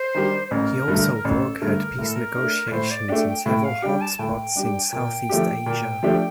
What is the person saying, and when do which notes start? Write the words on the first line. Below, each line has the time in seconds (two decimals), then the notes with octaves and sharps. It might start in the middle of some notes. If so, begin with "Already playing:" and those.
He also brokered peace negotiations in several hot spots in Southeast Asia.
Already playing: C5
0.15 D#3 G3 D4 G4
0.47 C5
0.51 A1 A#4
0.88 G2 D3 A3
1.25 A1 A4
1.61 G2 D3 A3 A#4
1.98 A2 A#4
2.06 A4
2.15 A#4
2.35 A3 D4
2.67 D5
2.72 A2 C5
2.90 D5
3.09 A3 D4 G5
3.27 G5
3.46 A2 G5
3.64 F5
3.82 G3 D4 G4 G5
4.01 A5
4.19 A2 G5
4.55 G3 D4 G4
4.92 A#2
5.29 F3 A3 D4 G4
5.66 A#2
6.03 F3 A3 D4 G4